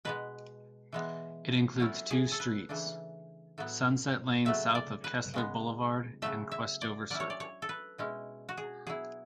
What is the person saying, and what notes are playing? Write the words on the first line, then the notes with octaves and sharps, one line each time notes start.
It includes two streets: Sunset Lane south of Kessler Boulevard and Questover Circle.
B2 G#3 B3 B4
E3 G#3 B3
F#3 A3 C#4 E4
G#4
A4
B4
C#3 E3 A3 D4
A2 F#3 B3
C#3 F#3 A3 E5
D5
B4
C#3 G#3 B3
C#3 F#3 A3 E5
E5
D5
F#3 C#4 E4 D5
C#5
D5
C#5
A4
B4
B2 G#3 C#4 E4
F#4
G#4
F#3 B3 E4 G#4